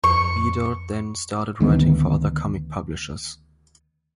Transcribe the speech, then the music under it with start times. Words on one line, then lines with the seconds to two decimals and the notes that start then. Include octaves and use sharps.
Bedard then started writing for other comic publishers.
0.04 F2 C#6
1.60 D2 D#3 G#3 B3